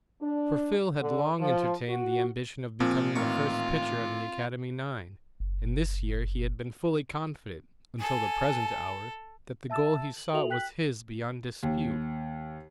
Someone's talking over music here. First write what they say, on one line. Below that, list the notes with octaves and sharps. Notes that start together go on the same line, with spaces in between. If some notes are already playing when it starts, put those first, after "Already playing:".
For Phil had long entertained the ambition of becoming the first pitcher on the academy nine, and this year he had been fully confident until the present hour that the goal he sought was his beyond dispute.
D4
D3
F3
F#4
A#2 F3 C4
A1 D#3 F4 C#6
F#1
A4 G#5
E5 A5 E6 A6 E7
F#7
F#4 A4 E5 F7 F#7
G5 F#6 B6 F#7
D#2